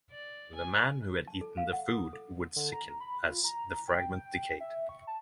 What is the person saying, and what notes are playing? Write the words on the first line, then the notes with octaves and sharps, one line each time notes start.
The man who had eaten the food would sicken as the fragment decayed.
D5
G#5
A5
A4
F5
F#5
D#6
A4
D3
A#5
B5
F4
A#5
G5
E5
C#6
A5